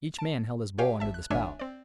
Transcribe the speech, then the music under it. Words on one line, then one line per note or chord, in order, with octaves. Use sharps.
Each man held his bowl under the spout.
A5 D7
G4 C#5 F5 G5 G#5
G#1 E5 A5
F#6
G#1 D4 C#5 E5 G#5
C4 D5